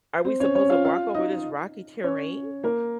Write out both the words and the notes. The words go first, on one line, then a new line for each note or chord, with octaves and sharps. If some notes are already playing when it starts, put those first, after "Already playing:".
"Are we supposed to walk over this rocky terrain?"
C4 C5
C#4 C#5
C#4 C#5
F4 F5
F4 F5
D#4 D#5
C#4 C#5
A#3 A#4